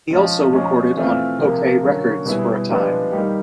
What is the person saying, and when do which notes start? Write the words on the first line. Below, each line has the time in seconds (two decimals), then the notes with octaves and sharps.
He also recorded on Okeh Records for a time.
0.11 F3 G#3 C#4
0.53 F3 G#3 C#4
0.96 E3 A3 C4 F4
1.39 C3 F3 A#3
1.83 D3 F#3 A#3 C#4
2.26 B2 G3 B3 E4 G#4
2.69 F3 G#3 B3 D4 G4
3.12 D#3 G3 A#3 D#4 G4